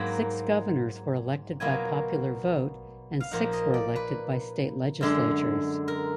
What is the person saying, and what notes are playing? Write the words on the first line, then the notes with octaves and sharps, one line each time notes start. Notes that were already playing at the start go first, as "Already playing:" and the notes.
Six governors were elected by popular vote and six were elected by state legislatures.
Already playing: G#2 F#3 A#3 B5
B2 F#3 A#3 F4 G#5
F5
A#2 F3 A#3 D#4 F#5
D#5
D5
B4
F#2 D3 G#3 D4
A#4